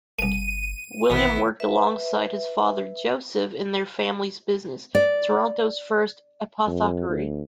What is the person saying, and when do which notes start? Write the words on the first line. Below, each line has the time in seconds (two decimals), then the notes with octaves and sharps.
William worked alongside his father Joseph in their family's business - Toronto's first apothecary.
0.19 G1 C2 A3 D#7
1.10 A1 E2 C3 D#3 B3 E4
1.60 B4 E5
4.95 D5
6.67 F2
7.09 D2